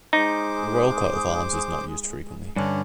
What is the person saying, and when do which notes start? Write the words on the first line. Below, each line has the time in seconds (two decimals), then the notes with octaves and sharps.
The royal coat of arms is not used frequently.
0.13 G#3 D#4 C5 D6
2.56 G2 D3 C#4 D4